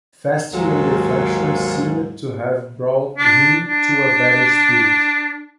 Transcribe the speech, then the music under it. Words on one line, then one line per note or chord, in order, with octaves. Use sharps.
Fasting and reflection seemed to have brought him to a better spirit.
D#2 G#2 F#3 F4 A4 A#4
D4
D4